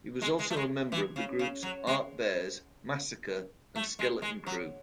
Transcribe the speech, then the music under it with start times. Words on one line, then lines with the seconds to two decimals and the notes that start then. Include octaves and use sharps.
He was also a member of the groups Art Bears, Massacre, and Skeleton Crew.
0.22 G#3
0.39 G#3
0.50 A3
0.57 G#3
0.92 E3
1.16 C#3
1.39 C#3
1.63 F#3
1.87 G#3
3.75 A3
3.99 G#3
4.22 G#3
4.46 F#3